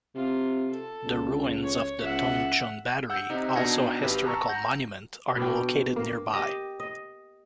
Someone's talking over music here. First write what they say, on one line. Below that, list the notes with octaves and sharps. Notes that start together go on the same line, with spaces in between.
The ruins of the Tung Chung Battery, also a historical monument, are located nearby.
C3 F4
A4
C#2
C#5
C#2 E5 F#5
F#5 E6 G6
C3 D#4
B2 D4 D#4 G#6 A#6 C#7
G#1 G4 B4
A5 A#5 C#6 E6
F#5 A#5 G6 A#6
B2 D4 G5
A#3
G4 D#5
D#5